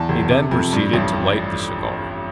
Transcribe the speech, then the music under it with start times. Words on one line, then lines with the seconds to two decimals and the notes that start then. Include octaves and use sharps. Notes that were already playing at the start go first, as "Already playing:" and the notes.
He then proceeded to light the cigar.
Already playing: E2 A5
0.09 E1
0.30 C3
0.51 F2
0.73 G2
0.94 A1